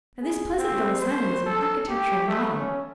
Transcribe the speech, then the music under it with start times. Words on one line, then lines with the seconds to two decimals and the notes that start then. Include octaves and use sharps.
And this Pleasantville asylum is an architectural model.
0.22 G#4
0.57 C4
1.00 C5
1.47 A4
1.88 G4
2.27 A3
2.58 C#4